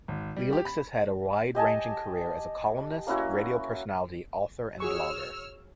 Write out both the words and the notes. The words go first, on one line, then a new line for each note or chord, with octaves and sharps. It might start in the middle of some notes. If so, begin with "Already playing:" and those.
Lileks has had a wide-ranging career as a columnist, radio personality, author, and blogger.
G#1
G3
G4
B5
G4 D#5 G#5 A5
A#3 C#4 E4 F#4
F#4 G#4 C#5 C#6 E6 F6